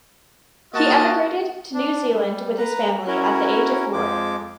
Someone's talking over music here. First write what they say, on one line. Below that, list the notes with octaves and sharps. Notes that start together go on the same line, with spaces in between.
He emigrated to New Zealand with his family at the age of four.
A#3 F4 F#4 D#5 A5
D4
G3
B4 A#5
C#4 E4 F#4 A#4
F2 F3 G#3 D6